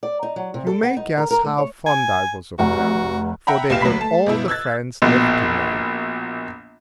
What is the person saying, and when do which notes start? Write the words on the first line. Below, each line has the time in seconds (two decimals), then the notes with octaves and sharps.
You may guess how fond I was of them, for they were all the friends left to me.
0.03 D5
0.23 D#4
0.36 F#3
0.54 C3
0.67 A4
0.83 B3
0.97 D#4
1.18 A#4
1.31 A#4
1.45 A3
1.58 C#5
1.86 G#5
2.59 F1 F#4 F#5
3.47 E5 F#5 G5 A#5 B5
3.69 F1 A#1 G4 F5 C7 E7
3.81 D2 F#3 A#3 B5 B6
3.98 A3 A5
4.26 G1 B2 E4
4.48 E6 F#6 G#6 A6
5.02 A#1 B2